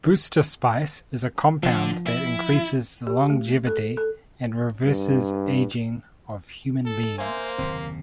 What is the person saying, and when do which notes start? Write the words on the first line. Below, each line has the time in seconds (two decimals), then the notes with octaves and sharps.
Boosterspice is a compound that increases the longevity and reverses aging of human beings.
1.63 D3 F3
2.07 E4
3.07 G4
3.30 A3
3.67 A4
3.97 A4
4.84 G2
6.86 A4
7.18 A#3 C5 E5 F5 G#5
7.58 F#1 D#2 C3 C4